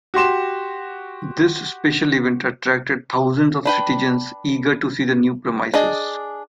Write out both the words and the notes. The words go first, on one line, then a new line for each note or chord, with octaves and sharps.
This special event attracted thousands of citizens eager to see the new premises.
F#4 G4 C6 E7
D4 B4 G5
D4 G#4 D#5